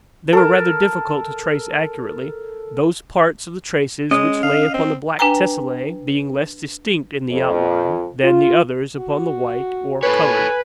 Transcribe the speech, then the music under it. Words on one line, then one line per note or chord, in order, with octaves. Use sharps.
They were rather difficult to trace accurately; those parts of the traces which lay upon the black tessellae being less distinct in the outline than the others upon the white or colored.
A4 A#4
G#3 C#4 D#5
F5
C4
D4 B4 G5 G#5 A#5
F2
F4
F#4
A4 B4 C#5 G#5